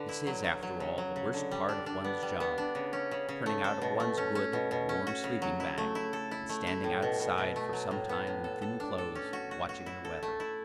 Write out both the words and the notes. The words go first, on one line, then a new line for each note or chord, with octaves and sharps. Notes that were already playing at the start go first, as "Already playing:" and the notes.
This is, after all, the worst part of one's job -- turning out of one's good, warm sleeping-bag, and standing outside for some time in thin clothes, watching the weather.
Already playing: D3 B4
E4
F#3
F#3
F#3
C#3
F#3
C#3
D3
G3
D4
D4
B3
G3
B3
D4
C#3
C#4
C#3
C#3
A3
A4
B2
A3
C#4
C#4
B2
B2
C#4
F#4
C#3
F#3
E4
A3
E4
A4
E4
A3
E4
A2
B2
B2
B2
A3
F#3
A2
B3
A2
A4
A4
D4
A4
C#4
F#4
F#4
F#4
E4
A4
A3
E4